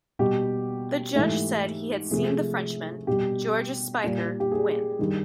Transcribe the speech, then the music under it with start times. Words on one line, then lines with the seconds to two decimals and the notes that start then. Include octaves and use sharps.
The judge said he had seen the Frenchman, Georges Speicher, win.
0.19 B2 G3 G4
1.16 G#2 E3 A3
2.11 C3 F3 A3 G#4
3.07 B2 G3 G4
4.04 A#2 G3
4.40 G4
4.52 G#4
4.99 G2 D#3 G3